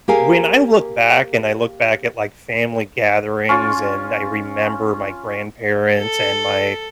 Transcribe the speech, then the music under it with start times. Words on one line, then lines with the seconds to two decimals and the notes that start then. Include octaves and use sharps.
when I look back and I look back at, like, family gatherings, and I remember my grandparents and my
0.08 A#3 G4 G#4 A#4 F5 G#5
3.49 C#4 F4
5.99 A4